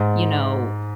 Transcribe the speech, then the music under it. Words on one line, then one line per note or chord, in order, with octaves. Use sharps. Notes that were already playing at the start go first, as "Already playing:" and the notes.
you know,
Already playing: G#2